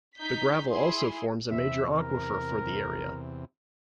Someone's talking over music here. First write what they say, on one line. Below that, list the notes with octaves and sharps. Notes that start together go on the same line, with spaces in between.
The gravel also forms a major aquifer for the area.
D#4 G6 B6
E4 G#4 C6
E2 C3 E5
A#4